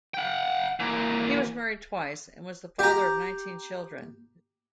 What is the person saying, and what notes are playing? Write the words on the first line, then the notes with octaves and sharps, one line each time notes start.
He was married twice and was the father of nineteen children.
F#5 G5
E3 A#3
G4 A#5